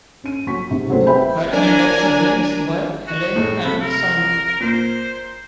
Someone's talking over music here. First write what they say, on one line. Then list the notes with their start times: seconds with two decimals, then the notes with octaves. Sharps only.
Her elder siblings were Helen and Simon.
0.24 C#4 D#7
0.47 F#3 C#6 B6
0.71 G#2 C3
0.90 F#3 A3 C4 C5
1.06 B4 C5 E5 G5 B5 G6
1.50 F#3 D4 A#4 G#5
3.07 F#4
3.36 A2 G#3
3.64 C3 A4 B5
3.81 A#4
4.60 A#2 A#3 C5